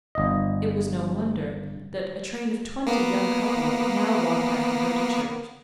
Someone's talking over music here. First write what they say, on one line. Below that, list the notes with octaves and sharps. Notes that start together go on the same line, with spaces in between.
It was no wonder that a train of twenty young couple now walked after her to church.
G1 D#5
A#3 B3